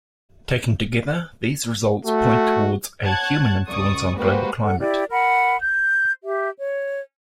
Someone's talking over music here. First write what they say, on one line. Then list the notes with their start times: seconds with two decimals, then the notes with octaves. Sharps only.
Taken together, these results point towards a human influence on global climate.
2.05 A3 F#4
3.03 C#5 F#5 A5 F#6 G#6
3.69 C#2 D5 C#6 D#6
4.18 G#3 A#3 F#4 G4 B4 C5
4.63 A4 F#5
4.79 E4 G4 D5
5.10 A#4 F#5 B5
5.59 G6
6.24 G4 E5
6.59 C#5